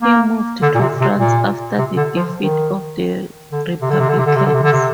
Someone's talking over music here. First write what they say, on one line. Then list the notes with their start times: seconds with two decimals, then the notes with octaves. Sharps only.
He moved to France after the defeat of the Republicans.
0.03 A#3
0.62 D3
0.75 A#2
0.81 C3
1.01 C3
1.20 A#2
1.78 C3
1.97 D3
2.17 F3
2.37 D#3
3.52 D3
3.82 C3
3.90 D3
4.00 C3
4.09 D3
4.18 C3
4.26 D3
4.36 C3
4.46 D3
4.54 C3
4.64 D3
4.72 C3